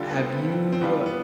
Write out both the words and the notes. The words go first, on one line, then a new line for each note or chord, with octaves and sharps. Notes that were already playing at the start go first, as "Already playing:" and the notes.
Have you
Already playing: D3 G3 D4 F4 A4
B3
C4
C4
C4
D3 G3 B3 D4 F4
B3